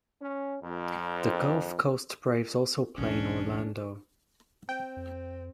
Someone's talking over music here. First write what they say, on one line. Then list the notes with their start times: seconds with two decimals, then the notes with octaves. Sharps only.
The Gulf Coast Braves also play in Orlando.
0.20 C#4
0.61 F2
2.98 B1 E2 G#2 C#4 D4
4.69 C4 G5
4.97 F2